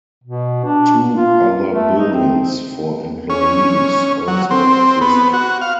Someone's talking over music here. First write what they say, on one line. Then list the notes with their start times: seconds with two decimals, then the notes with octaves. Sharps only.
Two other buildings for employees also exist.
0.24 B2
0.65 D4
1.15 F4
1.69 A3
1.98 D#4
2.13 C4
3.30 C#4
4.28 F#3
4.51 C4
5.01 B3
5.33 F#4
5.61 F5